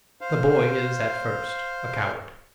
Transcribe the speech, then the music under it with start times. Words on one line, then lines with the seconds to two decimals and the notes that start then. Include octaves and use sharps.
The boy is at first a coward.
0.21 C5 F5